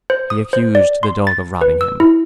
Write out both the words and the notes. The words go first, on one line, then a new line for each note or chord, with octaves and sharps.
He accused the dog of robbing him.
C5
D#6
C5
D5
C6
A6
B4
E6
E4